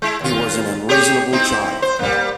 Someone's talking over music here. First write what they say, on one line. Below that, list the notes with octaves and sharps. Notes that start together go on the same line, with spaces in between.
He was an unreasonable child.
G#3 E4
D#2 F4
G4 G#4 C#5
C4 D#4 E4
C5
G3 A#3